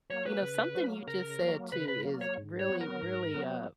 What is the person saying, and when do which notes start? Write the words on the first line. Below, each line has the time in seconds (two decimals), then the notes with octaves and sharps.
you know, something you just said too is really, really a
0.10 F#3 A#3 C#5
0.26 B4
0.42 C#3
0.75 F#3 A#3
1.08 C#3 A#4
1.40 F#3 A#3
1.72 C#3 B4
1.88 B4
2.05 F#3 A#3
2.21 C#5
2.38 G#2
2.59 C#5
2.69 F#3 B3
2.81 A#4
3.02 G#2
3.34 F#3 B3